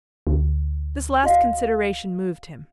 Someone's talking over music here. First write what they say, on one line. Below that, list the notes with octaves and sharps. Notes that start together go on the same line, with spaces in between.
This last consideration moved him.
D2
F#4 D#5 F5